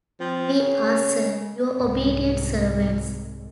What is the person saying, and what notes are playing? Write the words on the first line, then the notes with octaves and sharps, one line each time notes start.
We are, Sir, Your obedient servants.
F3 C4
C#3 C#4
C2 G#2